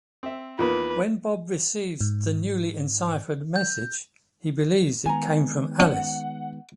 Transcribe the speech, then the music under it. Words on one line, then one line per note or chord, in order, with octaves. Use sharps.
When Bob receives the newly enciphered message, he believes it came from Alice.
C4 E5
E2 D#3 A#3 F4 B4
G#2
G6
D#3 G#3 B3 G#5 A#5
C#4 F#5